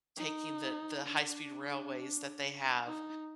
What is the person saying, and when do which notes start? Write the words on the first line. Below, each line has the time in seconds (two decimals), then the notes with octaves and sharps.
taking the the high-speed railways that they have,
0.17 D#4
1.07 D4
2.87 D#4